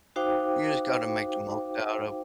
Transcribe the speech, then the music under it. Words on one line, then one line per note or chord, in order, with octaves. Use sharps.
you just gotta make the most out of
D#4 F#4 C5 F5 G5 D6